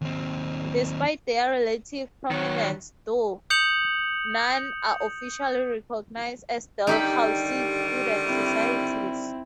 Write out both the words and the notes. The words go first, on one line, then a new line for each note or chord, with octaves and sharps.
Despite their relative prominence, though, none are officially recognized as Dalhousie student societies.
D#2 C4
D#3 F#3 C#5
D#6 G6 C#7 F7 F#7
D3 D#3 G3 D#4 G4 B5
C4 E4